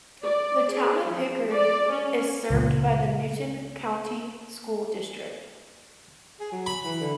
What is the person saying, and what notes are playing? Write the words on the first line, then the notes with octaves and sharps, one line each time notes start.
The Town of Hickory is served by the Newton County School District.
D5
G#4
F3
D5
C#4
C#2 A#2
G#4
F#3
B5
E3
D3